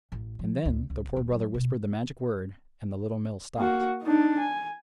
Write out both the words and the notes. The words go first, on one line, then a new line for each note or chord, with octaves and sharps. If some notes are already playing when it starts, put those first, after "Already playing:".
And then the Poor Brother whispered the magic word, and the Little Mill stopped.
A1
F3
D2
C#2
D#1
F#2
B2
A#3 F#4
D4 D#4
G#5